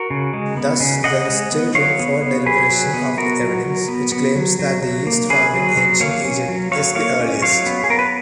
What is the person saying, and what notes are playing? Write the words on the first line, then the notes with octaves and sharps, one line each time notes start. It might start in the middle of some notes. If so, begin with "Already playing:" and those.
Thus, there is still room for deliberation of the evidence which claims that the yeast found in Ancient Egypt is the earliest.
Already playing: F#4 A#4
C#3
G#3
B3
C#3
C#3 D#5 F#5
G#3
B3
F#3 C#5 F5
B3
B3
F#3 G#4 B4
F#3
B3
B3 F#4 A#4
F#3
F#3
B3
B3
F#3
F#3
F#3
A#3
C#4 G#4 B4
F#3
F#3
A#3 C#5 F5
C#4
F#3
F#3 C#5 F5
A#3 C#5 F5
C#4
F#3 C#5 F5
B3
G#4
B3 A#4
B4